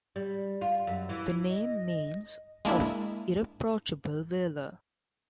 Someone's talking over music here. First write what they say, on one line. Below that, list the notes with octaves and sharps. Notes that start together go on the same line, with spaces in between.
The name means "of irreproachable valor".
G3
F4
F#2
E3
D#5
G#3 A#3 D4 E4